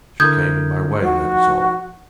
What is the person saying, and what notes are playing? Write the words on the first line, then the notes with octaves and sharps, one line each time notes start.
She came in my way, that is all.
D3 E4 A#4 D#6 G6 G#6
F3 D#4 F#4